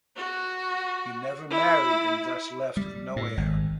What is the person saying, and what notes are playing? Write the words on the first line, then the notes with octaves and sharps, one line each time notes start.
He never married and thus left no heir.
F#4
E4
G3
A2
G#1